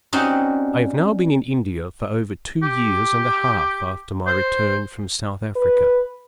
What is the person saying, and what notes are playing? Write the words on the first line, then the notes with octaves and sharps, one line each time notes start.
I have now been in India for over two years and a half after my return from South Africa.
G3 C4 C#4 D#4 F#4
G4
C5
B4